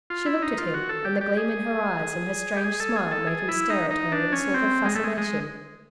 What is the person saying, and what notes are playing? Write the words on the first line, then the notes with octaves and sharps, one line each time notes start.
She looked at him and the gleam in her eyes and her strange smile made him stare at her in a sort of fascination.
F4
E4
D#4
F4
F#4
A4
G4
G4
G#4
G4
G#4
A4
G#4
A4
G#4
E4
D#4
D#4
D4
C#4
C4
G#3
A3
G#3
G#3